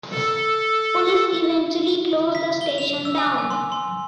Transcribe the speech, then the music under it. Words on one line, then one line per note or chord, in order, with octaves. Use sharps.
Police eventually closed the station down.
A4
B6
G7
F7
E6
G#5
G#5
C6
C6